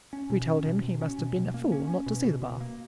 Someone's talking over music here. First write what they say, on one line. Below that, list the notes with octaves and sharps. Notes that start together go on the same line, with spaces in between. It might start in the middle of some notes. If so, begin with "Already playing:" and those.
We told him he must have been a fool not to see the bath.
C#4
B2
C#4
B2
B2
C#4
B2
B2
A#3
C#4
C#4
B2
B2
B2
A#3